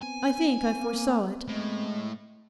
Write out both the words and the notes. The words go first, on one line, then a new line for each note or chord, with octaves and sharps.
I think I foresaw it.
B3 C4 G#5
A#3
A2 G#3